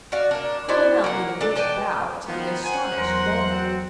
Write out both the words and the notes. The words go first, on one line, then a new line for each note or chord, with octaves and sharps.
Coronel made a deep bow to the astonished Belvane.
F#4 D5 F5
A#3 D4
E4 F#4 C5 D5
A#3 F#5
D4 A4
B4 D5 G5 A5
D#3 F3 B3 G5 A#5
C5 F#5 G#5
E2 F#3 A#4 C6 F#6
C4 F#4